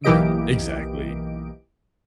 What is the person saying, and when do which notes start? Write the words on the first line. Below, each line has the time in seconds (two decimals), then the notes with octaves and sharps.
Mhm. Exactly.
0.04 B1 E3 A#3 G4 D#5 D7